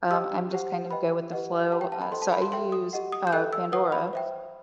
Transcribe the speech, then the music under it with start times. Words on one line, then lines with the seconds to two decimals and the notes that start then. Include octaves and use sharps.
Um, I'm just kind of go with the flow, uh, so I use, uh, Pandora
0.11 G4 D#5 G5 E6
0.51 G4 C5 F#5
0.91 B4 D#5 G5 B5
1.32 G4 B4 D#5 F#5
1.72 G4 B4 F#5 A5
1.81 G5
1.92 A5
2.02 B5
2.12 A4 C5 D#5 G5 C6
2.22 A5
2.33 B5
2.42 C6
2.52 A4 E5 G5 C6
2.72 D#6
2.93 G4 D#5 F#5
3.12 D#6
3.27 G6
3.32 A4 D#5 G5 F#6
3.53 E6
3.72 B4 F#5 D#6
3.92 B5
4.13 C5 E5 G5